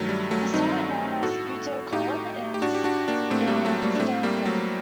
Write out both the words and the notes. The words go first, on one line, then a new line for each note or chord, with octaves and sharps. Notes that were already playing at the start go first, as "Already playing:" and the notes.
The summit, known as Uto Kulm, is in Stallikon.
Already playing: G2 D#3 F#3 A3
G3
F#3 A3
G2 D#3 C4 D#4
A2 F#4 A4
A2 D#4 G4
G4
A2 D4 F#4
G4
D4 F#4
A#3 D4
A2 A3 C4
G3 A#3
F#3 A3
G3 A#3
D4
A2 A3 C4
G3 A#3
F#3 A3